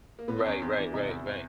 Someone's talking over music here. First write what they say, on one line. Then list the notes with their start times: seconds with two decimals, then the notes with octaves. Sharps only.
Right, right, right, right.
0.19 A#3
0.28 B3
0.36 C4
0.45 E2 C#4
0.62 E2 C4
0.78 E3 D4
0.93 C3 D#4
1.09 E2 E4